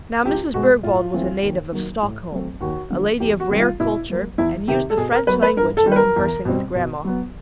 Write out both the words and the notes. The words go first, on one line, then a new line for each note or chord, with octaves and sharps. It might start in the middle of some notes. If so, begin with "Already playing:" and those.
Now, Mrs. Bergwald was a native of Stockholm, a lady of rare culture, and used the French language in conversing with grandma.
C#2 G4
B2 G#3 B3 F#4
A2 F4
E3 A3 C4
D#2
D#3 F#3 A#3
A2
F#3 A3 C4
D#2 F#4
D3 F3
E2 G4
F#4
C3 D#3 G3
F4
B2 E4
F#3 A#3
E2 E4
C3 D#3 G4
A4
B2 G#4
A#4
F#3 B3 B4
B4
G2 A#4
A4
D#3 G3
B4
A#4
E2
B2 G3 C4
B2
F#3 B3